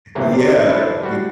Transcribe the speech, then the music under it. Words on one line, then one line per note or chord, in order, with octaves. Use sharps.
yeah, you
G1 C3 E3 F#3 A3 A#3
C3 D5
A1 D#4
E4 A4 B4 C5 D5
G3 F#4